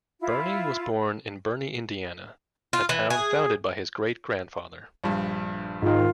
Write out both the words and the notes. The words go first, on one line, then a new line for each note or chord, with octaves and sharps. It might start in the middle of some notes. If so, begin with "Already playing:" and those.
Burney was born in Burney, Indiana, a town founded by his great-grandfather.
E4 F4
F4
E3
G#4
A#1 G2
G#2 D#3 F4